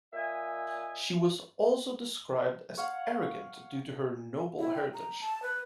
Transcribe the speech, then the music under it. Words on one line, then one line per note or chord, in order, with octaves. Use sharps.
She was also described as arrogant due to her noble heritage.
A#2 D#5 E5 G#5
C#5 F5 F#5
E4
G5
A#5
A5
B4